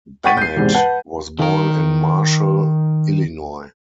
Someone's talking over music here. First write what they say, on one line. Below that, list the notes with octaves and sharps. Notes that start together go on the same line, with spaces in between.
Bennett was born in Marshall, Illinois.
F#5 G5 C#6 A6 B6 D#7
G6 C7
E2 G#2 C3
B4 F#5 A5
D#3 A#4